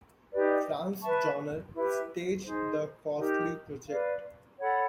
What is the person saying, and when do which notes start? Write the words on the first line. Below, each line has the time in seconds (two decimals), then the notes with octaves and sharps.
Franz Jauner staged the costly project.
0.31 D#4 G4 B4 D5
1.03 B4 E5 A5 C#6
1.74 E4 G4 B4 E5
2.45 D#4 G#4 C5
3.17 D#4 G4 A#4
3.88 B4 D5 F5
4.60 A4 C#5 F#5 B5